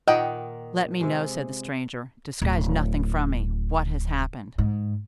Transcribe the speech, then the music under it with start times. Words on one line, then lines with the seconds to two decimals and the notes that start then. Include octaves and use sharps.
"Let me know," said the stranger,--"disguise nothing from me--what has happened?"
0.08 A#2 D#3 D#5 F#5 G5
1.01 C3 G#3
2.42 D1
4.58 G#2